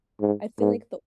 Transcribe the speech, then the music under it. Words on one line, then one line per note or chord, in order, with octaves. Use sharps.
I feel like the
G#2
G#2